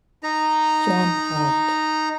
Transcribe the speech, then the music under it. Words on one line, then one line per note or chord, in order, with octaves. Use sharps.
John Hand.
D#4 A#5